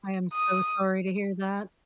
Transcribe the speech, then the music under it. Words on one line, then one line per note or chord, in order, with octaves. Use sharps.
I am so sorry to hear that.
D#6